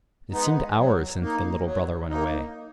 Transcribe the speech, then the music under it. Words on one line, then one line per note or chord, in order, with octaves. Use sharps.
It seemed hours since the little brother went away.
G#3 B3 D#4
F#3
A#3 D#4
F#3
A#3 D#4